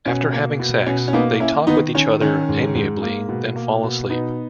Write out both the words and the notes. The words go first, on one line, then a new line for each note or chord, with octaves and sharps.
After having sex, they talk with each other amiably, then fall asleep.
B2 C#4
A#3
B2
B2 C#4
C#4
A#3 B3 D#4
A#3 C#4 E4
D#3 B3 D#4
D#3 C#4
D#3 C#4
G#2
G#2
A#3
B2
A#3
B2
B2 B3 D#4